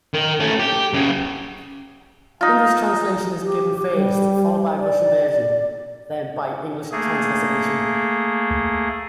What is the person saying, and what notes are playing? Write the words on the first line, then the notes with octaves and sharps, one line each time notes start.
English translation is given first, followed by Russian version, then by English transliteration.
D#3
A3 C#4
G4
F#2 C#3
D#4 F4
G4
G3
D5
A3 A#3 G#4